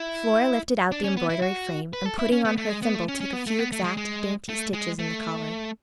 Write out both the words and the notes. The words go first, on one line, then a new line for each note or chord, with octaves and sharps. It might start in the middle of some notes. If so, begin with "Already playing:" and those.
Flora lifted out the embroidery frame, and putting on her thimble took a few exact, dainty stitches in the collar.
Already playing: E4
D4
C#4
B3
E4
F#4
B4
A4
E4
C#4
B3
A3
G#3
B3
A3
C#4
C#4
B3
A3
B3
A3
G#3
G#3
A3
G#3
A3